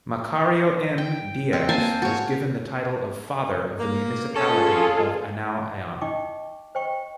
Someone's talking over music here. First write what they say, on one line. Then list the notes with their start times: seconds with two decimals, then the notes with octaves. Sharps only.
Macario M, Diaz was given the title of Father of the Municipality of Anao-aon.
0.98 G5
1.53 C4
1.69 A#3 C5 G#5 A5
2.02 F#4 C#5
3.79 A#3
4.36 C#4 F4 G#4 A4
6.01 D#4 D#5 G5 C#6 D6
6.75 C5 D#5 G5 C#6